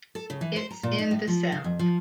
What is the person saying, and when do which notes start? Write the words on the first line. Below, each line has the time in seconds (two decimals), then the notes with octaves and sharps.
It's in the south!
0.15 A4
0.30 C#3
0.41 E3
0.56 C5
0.71 A#5
0.83 A#2
0.98 D#4
1.11 A2
1.27 F3
1.52 C#3
1.64 F2
1.79 F3